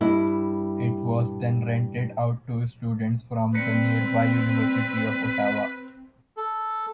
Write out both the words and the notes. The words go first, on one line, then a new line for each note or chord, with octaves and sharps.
It was then rented out to students from the nearby University of Ottawa.
G2 E4
G3 A#3 C4 B4 D5
A4